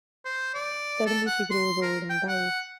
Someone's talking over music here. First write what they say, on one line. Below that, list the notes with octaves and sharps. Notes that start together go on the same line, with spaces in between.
Suddenly she grows old and dies.
C5
D5
A4
F#5
C6
A#4
G5
F#5